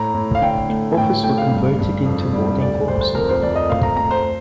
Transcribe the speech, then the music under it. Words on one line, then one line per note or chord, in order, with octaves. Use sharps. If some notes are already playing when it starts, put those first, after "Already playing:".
Others were converted into boarding homes for profit.
Already playing: A2 A#5
A2
F5
D3 G5
A3
A2 G5
A3 G5
F5
G2
G2
F2
G3
D2 D5
D2 C5
C5
F2 A#4
C5
F2 D5
D#5
A3 F5
A#5
A3 A#5
C5